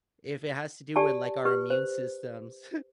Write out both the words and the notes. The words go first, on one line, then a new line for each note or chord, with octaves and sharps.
if it has to do with, like, our immune systems,
G4 D5 G#5 A5
G4 B4
C5